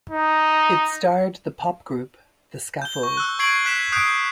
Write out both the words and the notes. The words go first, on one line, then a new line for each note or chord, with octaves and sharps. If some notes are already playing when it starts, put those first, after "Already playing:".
It starred the pop group The Scaffold.
D#4
G6 G7
C#6
E6 F#6
C#6 G#6 C7 D7 F#7
F#6 B6 E7
D#6 F#6 G6 C7 D7